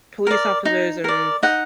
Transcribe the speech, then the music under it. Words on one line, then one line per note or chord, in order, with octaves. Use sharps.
police officers and f,
A#4 D5
D#4
A#4 D5
D#4 F#5